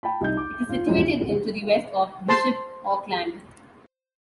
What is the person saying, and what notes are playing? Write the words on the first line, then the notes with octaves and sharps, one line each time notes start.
It is situated to the west of Bishop Auckland.
G5 A5 B5
C2 D#4 G6
D6
F4
F3 F#3 G#3 C#4
C5 A5 C6